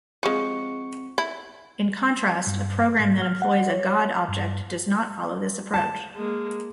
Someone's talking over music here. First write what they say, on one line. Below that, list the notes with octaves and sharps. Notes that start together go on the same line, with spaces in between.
In contrast, a program that employs a God object does not follow this approach.
F3 G#3 C4 C#6 C#7
E4
G2
G#2
F6
F#5
C#5
G2
A5
G#3 A#3